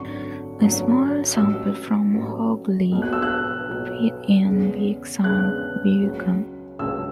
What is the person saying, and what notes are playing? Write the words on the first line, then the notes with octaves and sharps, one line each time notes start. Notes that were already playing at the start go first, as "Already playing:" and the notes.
A small sample from "Hog Leg" appeared in Beck's song "Beercan".
Already playing: G#1 F#2 D3 F#3 C#6
G#1 F#2 D3 F#3
A1 A2 F#3 E6
A1 A2 F#3
B1 B2 F#3
F#6
E6
F#6
B1 B2 F#3
E2 C#3 G#3
E2 C#3 G#3 F#6
C#2 C#3 F#3
C#2 C#3 F#3 E6